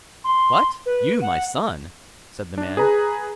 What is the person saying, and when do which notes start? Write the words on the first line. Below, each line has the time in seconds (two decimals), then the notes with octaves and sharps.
'What, you my son!' said the man.
0.24 C6
0.86 B4
1.21 F#5
2.58 D4
2.77 G#4 B4 A#5